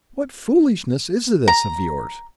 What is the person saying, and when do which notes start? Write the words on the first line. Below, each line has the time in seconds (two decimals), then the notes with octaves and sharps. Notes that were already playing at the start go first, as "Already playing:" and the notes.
"What foolishness is this of yours?"
1.48 A#5